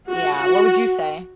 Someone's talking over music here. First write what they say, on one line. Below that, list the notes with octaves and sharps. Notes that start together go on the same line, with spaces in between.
Yeah, what would you say?
F#4
F#4